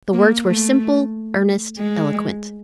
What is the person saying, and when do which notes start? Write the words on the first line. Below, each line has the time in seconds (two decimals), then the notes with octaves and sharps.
The words were simple, earnest, eloquent.
0.13 A#3
0.45 A3
1.77 G#3